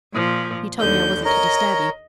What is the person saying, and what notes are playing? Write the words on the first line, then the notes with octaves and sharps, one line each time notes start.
You told me I wasn't to disturb you.
A#2 F3
D#2 D3 G6
A#4 C#5 D#5 A#5